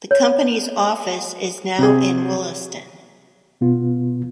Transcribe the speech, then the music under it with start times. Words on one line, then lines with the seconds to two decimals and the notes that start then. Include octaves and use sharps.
The company's office is now in Wollaston.
0.11 C#5
1.79 C3 G#4
3.61 B2 B3 F4